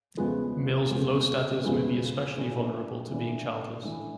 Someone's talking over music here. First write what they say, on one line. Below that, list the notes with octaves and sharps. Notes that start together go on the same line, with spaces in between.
Males of low status may be especially vulnerable to being childless.
E2 C#3 F3 G#3 B3
E2 C#3 F3 G#3 B3
E2 C#3 F3 G#3 B3
A2 E3 A3 D4
A2 E3 A3 D4
A2 E3 A3 D4